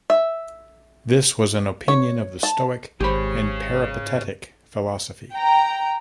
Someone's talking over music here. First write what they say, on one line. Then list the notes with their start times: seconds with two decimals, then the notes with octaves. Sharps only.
This was an opinion of the Stoic and Peripatetic philosophy.
0.10 E5
1.88 C#5
2.43 A5
3.00 G#1 G#2 G4 G#4 C5 C#5 B5
5.33 G5 A#5